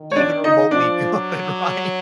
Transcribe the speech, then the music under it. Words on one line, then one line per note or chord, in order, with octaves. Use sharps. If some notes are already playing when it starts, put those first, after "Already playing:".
even remotely good, right?
Already playing: D#3
C#5
D4 D5
D#4 D#5
F3 D4 D5
F#3